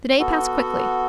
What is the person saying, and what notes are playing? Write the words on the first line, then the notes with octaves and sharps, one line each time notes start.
The day passed quickly.
B3 F#4 A4